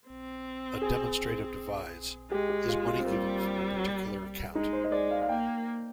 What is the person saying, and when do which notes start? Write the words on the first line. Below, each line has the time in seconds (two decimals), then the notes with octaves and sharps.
A demonstrative devise, is money given from a particular account.
0.08 C4
0.82 G#4
2.31 G#3 G4
2.49 G4
2.68 F4
2.87 F4
3.00 C4
3.06 G3 A#3
4.54 G#3 D#4
4.73 C5
4.84 D#5
4.92 G#3 D5
5.11 F5
5.22 F5
5.29 A#3 G5